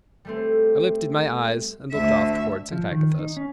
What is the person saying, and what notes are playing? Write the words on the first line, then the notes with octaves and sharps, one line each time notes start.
I lifted my eyes and looked off toward St. Agatha’s.
G3 A3 C4
D2 E5
F3
D#3
D#4
C#4